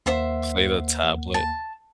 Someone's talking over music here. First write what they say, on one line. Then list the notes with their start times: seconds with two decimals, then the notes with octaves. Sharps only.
play the tablet.
0.06 D#2 A#3 C5 E5 F#5 C6
1.34 A5